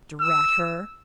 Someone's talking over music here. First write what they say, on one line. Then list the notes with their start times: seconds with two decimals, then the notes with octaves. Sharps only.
Drat her!
0.21 E6